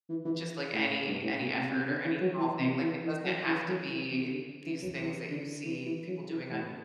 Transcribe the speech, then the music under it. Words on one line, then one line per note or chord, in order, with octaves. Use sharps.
just, like, any any effort or any small thing. Like, it doesn't have to be these things that you see people doing on
E3
E3
A2
G2
A2
B2
C3
C3
D3
E3
F#3
E3
C3
E3
E3
F#3
E3
F#3
E3
C3
D3
E3
F#3
E3
D3
E3
E3
F#3
E3
A2